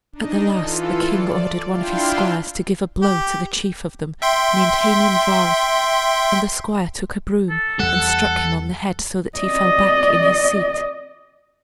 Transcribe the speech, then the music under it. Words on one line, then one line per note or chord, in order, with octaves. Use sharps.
At the last the king ordered one of his squires to give a blow to the chief of them, named Heinin Vardd; and the squire took a broom and struck him on the head, so that he fell back in his seat.
D4 D#4 D#5
E3 F4 A4
D5
D4 E4 F4 F5 G5 C6
G4
E5 G5 C6
A4
E2 G3 A4 F#5
D5 D#5